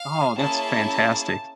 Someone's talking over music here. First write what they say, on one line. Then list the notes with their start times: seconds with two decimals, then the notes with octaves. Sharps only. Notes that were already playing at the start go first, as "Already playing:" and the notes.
Oh, that's fantastic.
Already playing: F5
0.38 A#3 C#4 E4 G#4 A5